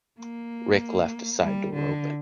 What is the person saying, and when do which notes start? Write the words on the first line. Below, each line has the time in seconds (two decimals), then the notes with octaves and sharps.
Rick left a side door open.
0.20 A#3
1.43 G3
1.74 D3